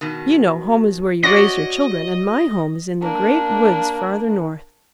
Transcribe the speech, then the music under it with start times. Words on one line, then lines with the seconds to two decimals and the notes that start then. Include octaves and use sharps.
You know home is where you raise your children, and my home is in the Great Woods farther north.
0.01 B2 D#3
1.23 C#4 F#4 D5 D#5 A#6
3.02 A#3 D4